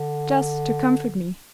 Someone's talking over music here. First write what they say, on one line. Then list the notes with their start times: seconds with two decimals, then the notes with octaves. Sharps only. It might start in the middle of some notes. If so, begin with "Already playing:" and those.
Just to comfort me.
Already playing: D3